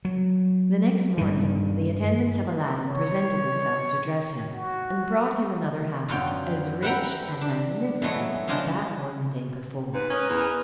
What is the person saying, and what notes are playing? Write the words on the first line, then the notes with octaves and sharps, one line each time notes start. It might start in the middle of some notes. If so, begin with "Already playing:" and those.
The next morning the attendants of Aladdin presented themselves to dress him, and brought him another habit, as rich and magnificent as that worn the day before.
F#3
G2 D#3
C#5
F#4
F#2 D3 B3 F4 C#5 G5
B4 E5 F#5 G5 A#5 B5
D4
E3 F#3 G#3 A3 B3
C#3 F3 G#3 D4 F4
G#2 B4
C#4 A#4 D#5
E2